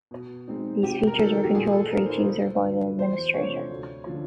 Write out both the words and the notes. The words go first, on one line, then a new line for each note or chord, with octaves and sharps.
These features were controlled for each user by the administrator.
B2
G#3 C4 D#4
C3 G4
A#4
D#3 F#3 A3 A4
G4
A#2 G#4
A4
F3 A#3 D#4 A#4
C5
B4
D2
D3 F#3
E2 C5
C3 F3 A3 D4 C#5
D2
D3 F3